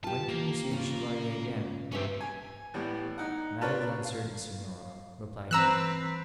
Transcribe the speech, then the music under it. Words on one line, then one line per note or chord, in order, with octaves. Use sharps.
When can you see the Chevalier again?' 'That is uncertain, Signora,' replied he.
F4 G4 A5
A#3
C#3 F4
G2 C3 C#4 G4 E5
G#5
A2 E3 G3 B3
D#4 F#5
D4 F4 A#4 B4 C#5 A5
F5
E3 C4 B4 A#5 E6 F#6